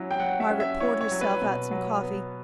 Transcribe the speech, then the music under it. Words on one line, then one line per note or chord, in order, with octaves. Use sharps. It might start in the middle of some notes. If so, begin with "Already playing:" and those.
Margaret poured herself out some coffee.
Already playing: F#3 C#4 E4
G5
F#3 F#5
E5
C#4
E5
E4 C#5
C#5
F#3
B4
B2
F#3
B3